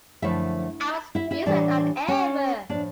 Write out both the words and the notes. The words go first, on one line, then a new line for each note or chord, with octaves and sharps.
I was busier than ever!
F#2 D3 F3 A3 E4 E5
E4 E5
E4 E5
A2 E3 G3 D4 D5
C#4 C#5
A2 F3 A#3 D4 D5